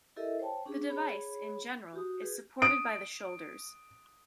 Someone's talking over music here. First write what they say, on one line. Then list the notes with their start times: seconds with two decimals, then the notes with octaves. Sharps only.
The device, in general, is supported by the shoulders.
0.16 E4 G4 A4 A#4 D#5 E5
0.39 C5 C#5 G5 A5
0.66 C#4 D4 G4 G#4
0.89 G#4 C#5 B5
1.93 F#4 G4 D#6
2.22 G4 G#4 B4
2.62 D#6 D7